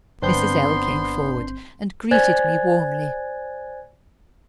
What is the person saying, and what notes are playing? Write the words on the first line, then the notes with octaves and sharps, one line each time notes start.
Mrs. L. came forward, and greeted me warmly.
G1 B3 C4 D4 B4 C6 G6
C5 D5 G#5 F#6 G#6 A6